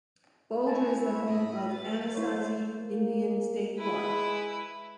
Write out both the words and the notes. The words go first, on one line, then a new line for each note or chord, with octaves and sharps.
Boulder is the home of Anasazi Indian State Park.
C4 E4 C#5 G#5 A5
A2 D#5 B5
F#3 B4 A6
E4 C5 C#5
A#3
G#3 E4 B4